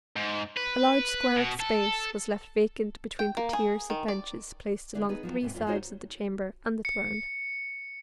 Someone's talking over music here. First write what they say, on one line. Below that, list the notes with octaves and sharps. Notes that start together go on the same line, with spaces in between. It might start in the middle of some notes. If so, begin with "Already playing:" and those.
A large square space was left vacant between the tiers of benches placed along three sides of the chamber and the throne.
G#2
B4
B2
A4
G5
A#3
G#4
D#3
D5
D3 G#3 B3 D4 E4
B3 D#4 G#4 B4
F3 F#3 C4
G#2 C3 B3
F2 E3 F4
D#4 F4 F#4 G#4 C5 C#5
C#7